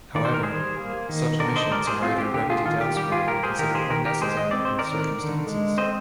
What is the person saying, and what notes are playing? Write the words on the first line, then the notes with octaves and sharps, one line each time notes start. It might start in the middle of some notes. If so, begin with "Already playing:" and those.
However, such omissions are either remedied elsewhere or considered unnecessary under the circumstances.
D#3 D5
C5
A#4
G3 G#4 C5
A#3
D#3
D3 A#4 D5
C5 D#5
G3 A#4 D5
G#4 C5
C4 F4 G#4
G4
D3 G4
F4 G#4
D#3 F4
G4
G3 G4
F4 G#4
A#3 G4 A#4
G#4 C5
D#3 G4 A#4
G#4 C5
D#3 G4 A#4
G4 A#4
G#3 G#4 C5
D#5
C4 D5
C5
A#4 D5
D#3
D3
G#3
C4 C5 D#5